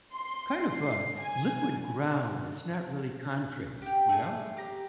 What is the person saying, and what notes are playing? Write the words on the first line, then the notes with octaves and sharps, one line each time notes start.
kind of, um, liquid ground, it's not really concrete, you know?
C6
C7
G#5
G4 G5
A3 C4 G#4
G4 A#5